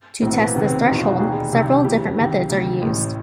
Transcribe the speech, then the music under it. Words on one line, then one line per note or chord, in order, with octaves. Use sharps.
To test this threshold, several different methods are used.
B1 A2 E3 C4
B3
A#3
C#2 C3 D#3 B3
C4
F1 E2 B2 D#4
F4
F#4
E1 D#2 D#3 G#4
C2 C3 D#3
D2 C#3 E3 G4
C#2 C3 D#3
D2 C3 D#3
A1 A2 E3